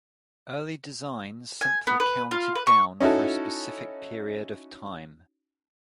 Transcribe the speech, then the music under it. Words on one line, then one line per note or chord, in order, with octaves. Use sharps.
Early designs simply counted down for a specific period of time.
G#5
B3
B4
F4
B4
C#6
C#4 D#4 E4 F#4 A4